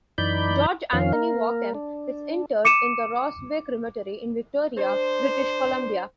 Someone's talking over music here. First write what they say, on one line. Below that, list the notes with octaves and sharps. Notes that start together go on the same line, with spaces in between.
George Anthony Walkem is interred in the Ross Bay Cemetery in Victoria, British Columbia.
F#2 E3 D#4 D5 B5 G6
F2 D#3 F3 C#4 F5
A#3 A#4
D4
D6 C#7 D#7 E7
D4 C5